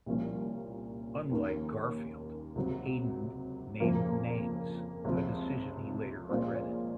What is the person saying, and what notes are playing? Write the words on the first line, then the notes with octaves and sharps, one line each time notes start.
Unlike Garfield, Hayden "named names", a decision he later regretted.
C2 A#2 F3 A#3 C#4
D#2 D#3 A#3 C#4
C#2 C3 F#3
F2 C#3 F3 A#3
C#2 C3 F3
A#2 G#3 C#4 F4 C5